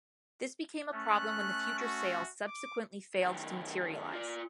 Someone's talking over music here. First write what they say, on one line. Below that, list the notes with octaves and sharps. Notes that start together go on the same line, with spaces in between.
This became a problem when the future sales subsequently failed to materialize.
A3 C#4 F#6
F#4
D6
F#2 D#3
F4 D5